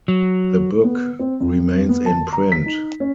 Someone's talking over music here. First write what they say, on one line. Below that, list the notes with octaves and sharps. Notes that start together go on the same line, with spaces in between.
The book remains in print.
F#3
B3
C4
F2
B3
A5
A#5
B6
D#4
C#4